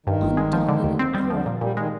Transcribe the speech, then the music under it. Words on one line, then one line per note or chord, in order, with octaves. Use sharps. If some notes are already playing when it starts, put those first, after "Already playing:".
Undone in an hour!
G2 D#3
G1
G#3
F3
D3
D#2
C4
G3
D3 F3
A#2
A#2 G3
D#3 G#3